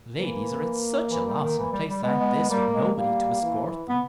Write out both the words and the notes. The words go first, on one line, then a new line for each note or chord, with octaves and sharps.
Ladies are at such a loss in a place like this with nobody to escort them.
E3 A#3
E3
G3
D#3
E3
G3
G3
G#3 B3
G#3
G#3
G3 A#3
G#3
G3 A#3
E3
B3